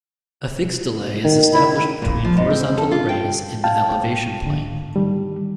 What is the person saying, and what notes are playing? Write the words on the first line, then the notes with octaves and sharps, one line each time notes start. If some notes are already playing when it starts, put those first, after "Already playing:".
A fixed delay is established between horizontal arrays in the elevation plane.
D#3
E4
A#2
F3
G#2
C4
A4
F4
G5
F5 G5 A5
G#2 D3
D#3 G3